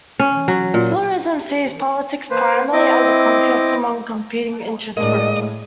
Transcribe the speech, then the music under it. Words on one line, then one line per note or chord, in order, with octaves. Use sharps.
Pluralism sees politics primarily as a contest among competing interest groups.
C#4
F#3
A#2
A#3 B4 C5
C4 E4 D#5 D6
A2 G#3 A#3 D4 D#5